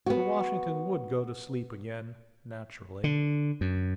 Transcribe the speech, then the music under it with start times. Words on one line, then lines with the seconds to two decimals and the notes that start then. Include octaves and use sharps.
For Washington would go to sleep again, naturally.
0.06 B3 F#4
3.04 D3
3.61 F#2